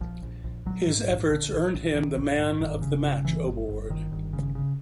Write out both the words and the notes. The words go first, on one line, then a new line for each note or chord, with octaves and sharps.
His efforts earned him the Man of the Match award.
A#1 F3
A#1
A#1
A#1 F#3
G#2
A#1
A#1 D3
A#1
A#1
A#1 D#3
A#1
G#2
G1 D#3
C#3
G1
G1 E3
G1
G1
G1 D#3
G1
C#3
C#3